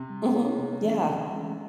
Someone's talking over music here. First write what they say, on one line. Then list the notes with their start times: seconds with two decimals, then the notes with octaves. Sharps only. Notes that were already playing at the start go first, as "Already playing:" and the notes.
Mhm. Yeah.
Already playing: C3
0.10 G3
0.33 B3 E4 G#4 C#5
0.58 C3
0.83 E3 G#3 C#4
1.08 C3
1.31 E3 G#3 C#4